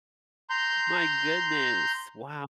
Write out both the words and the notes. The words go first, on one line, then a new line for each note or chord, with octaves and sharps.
My goodness. Wow.
A#5 C6 G6